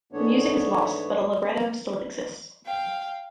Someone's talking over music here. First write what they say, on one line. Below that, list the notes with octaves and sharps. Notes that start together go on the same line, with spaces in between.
The music is lost, but a libretto still exists.
G#2 E3 A3 B3 D4 C#5
F5 G5